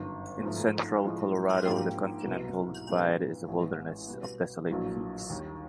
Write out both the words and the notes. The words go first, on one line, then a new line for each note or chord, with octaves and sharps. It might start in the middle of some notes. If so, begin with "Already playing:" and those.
In central Colorado the continental divide is a wilderness of desolate peaks.
Already playing: G1 F#2 D#3
G#2 F3 A3
A2 F3 G#3
G#2 F3 A#3 D4 G4
C2 B2 F#3 B3
A#2 G3 B3 D4
A1 A2 E3 G#3
B2 G3 B3
A#1 A2 F#3 A#3 D4
D#2 D#3 G3